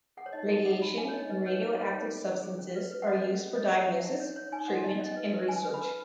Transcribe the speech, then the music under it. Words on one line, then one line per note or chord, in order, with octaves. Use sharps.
Radiation and radioactive substances are used for diagnosis, treatment, and research.
G#4 F#5
C#5
D#4 D#5
D#4 D#5
G#4 F#5
D#4 B5
G#4 G#5
C#5
D#4 D#5
B4 D#5
B4 C#5
D#4 C#5
B4 D#5
C#5
D#4
G#4
C#4
G#4
C#4
B4
B4
F#5
C#4 D#5
C#4
C#4
C#5 D#5
C#5
F#5
C#4
D#4
C#5
C#5
D#4 G#5
F#4 F#5
D#4 D#5
C#4 D#5
B4
B4
C#4 G#5
B4
B5
B4